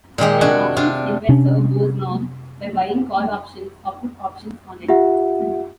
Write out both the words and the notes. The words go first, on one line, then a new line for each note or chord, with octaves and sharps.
An options investor goes long by buying call options or put options on it.
A#2 D#3 G#3 G4
C3 D4 F#4 G#5
C3 D4 F4
C3 C#4 D4
F4 G4 E5 F#5